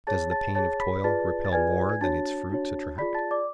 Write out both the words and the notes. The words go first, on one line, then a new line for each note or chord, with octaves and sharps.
Does the pain of toil repel more than its fruits attract?
G#4 C#5 A5 A6
A5 A6
G#4 C#5 A5 A6
B5 B6
F4 G#4 B4 D5 A5 A6
A6
F4 G#4 B4 D5 G#5 G#6
G#6
D4 F#4 C#5 A5 A6
D4 F#4 C#5
F4 G#4 D5 B5 B6
A5 A6
D5 D6